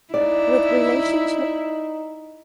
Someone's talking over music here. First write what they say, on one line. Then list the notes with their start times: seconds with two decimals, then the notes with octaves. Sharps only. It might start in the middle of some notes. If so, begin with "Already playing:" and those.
With relationship
0.14 D#4 E4 D5